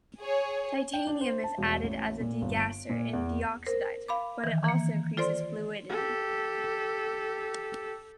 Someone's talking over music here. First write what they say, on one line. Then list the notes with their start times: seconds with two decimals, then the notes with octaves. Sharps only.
Titanium is added as a degasser and deoxidizer, but it also increases fluidity.
0.19 G#4 C#5
0.93 G5
1.07 D4
1.21 C5
1.44 A5
1.58 E1
1.84 A1
2.20 A#2
2.42 G1
2.60 D7
2.89 A#2
3.13 E2
3.67 A#4 C5
4.08 F5 B5 D6
4.44 D#3 E3
4.65 E3 A#3
5.17 F4 A4 C5 D5 C6
5.90 G4 A4